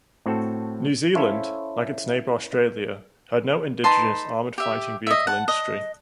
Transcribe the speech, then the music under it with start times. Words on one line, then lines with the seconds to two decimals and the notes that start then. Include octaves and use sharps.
New Zealand, like its neighbour Australia, had no indigenous armoured fighting vehicle industry.
0.26 A2 C4 F#4 A4
1.15 C#4 E4 A4 C5 C#5 F5
3.84 D#4 B4 A5 C6
4.58 G4 E5
5.07 D#5 E5
5.27 F#5 A5
5.48 D#5